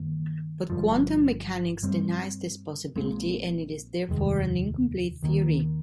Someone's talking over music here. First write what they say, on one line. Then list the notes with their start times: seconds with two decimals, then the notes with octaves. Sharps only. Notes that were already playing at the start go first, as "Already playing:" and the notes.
But quantum mechanics denies this possibility and it is therefore an incomplete theory.
Already playing: G2 D#3 A#3
0.70 G1 G2 F3
1.83 G2 G3 C4
2.96 A#1 A#2 G#3 C4
4.09 F1 D#2 D#3 G#3
5.23 D#2 D#3 A#3